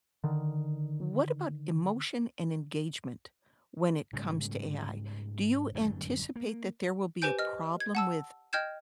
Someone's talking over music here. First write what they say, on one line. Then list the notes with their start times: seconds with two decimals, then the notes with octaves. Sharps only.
What about emotion and engagement, when it comes to AI, do you anticipate that there will be a problem with
0.24 D3 D#3
4.13 G#2 C#3 G3 A3
5.75 G1 F#2 A2 D#3
6.36 A#3
7.22 G4 B4 C5 G#5 G6 D7
7.39 D#5 F6
7.80 G#6
7.95 F#5 A5 E6
8.53 D#5 G5 F6 G6 G#6 E7